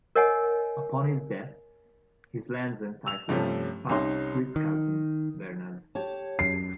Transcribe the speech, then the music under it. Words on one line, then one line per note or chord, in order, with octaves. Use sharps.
Upon his death, his lands and titles passed to his cousin, Bernard.
A#4 C#5 D#5 F#5 G#5
E6 F7
G2 C3 F3 A3 C#4
C2 C3 C#4 D#4 C6
D#3
G4 C#5 A5
F#2 C7